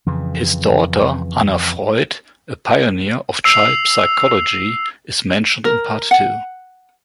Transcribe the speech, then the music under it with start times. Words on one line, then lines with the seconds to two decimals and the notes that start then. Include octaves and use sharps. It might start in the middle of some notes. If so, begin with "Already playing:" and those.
His daughter Anna Freud, a pioneer of child psychology, is mentioned in part two.
0.06 F2 C#3 E3
3.45 E6 C7 F7
5.65 A#4
6.11 F#5